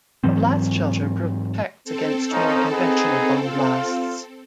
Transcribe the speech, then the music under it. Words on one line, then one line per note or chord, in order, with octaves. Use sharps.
A blast shelter protects against more conventional bomb blasts.
G#2 E3 F#3 C4
C4 A4
F3 C#4 D#4
B3 D#4 G#4
F4